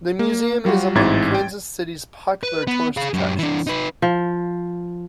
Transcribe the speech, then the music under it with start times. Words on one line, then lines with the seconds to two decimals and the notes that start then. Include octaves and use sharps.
The museum is among Kansas City's popular tourist attractions.
0.19 A#3
0.65 F#3 G3 F4 F#4
0.95 A1 G#2 C4 E4 G#6 A6
1.34 G5
2.43 B4
2.67 B3
2.97 G#4 F5
3.14 F#2 G4
3.39 E3 D4
3.67 D#4 B4
4.02 F3